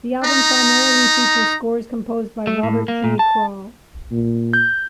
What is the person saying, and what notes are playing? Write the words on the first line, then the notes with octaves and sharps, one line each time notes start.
The album primarily features scores composed by Robert J. Kral.
D#4 A#5
A3
A2
A#3
A#2
A5
A#2
G6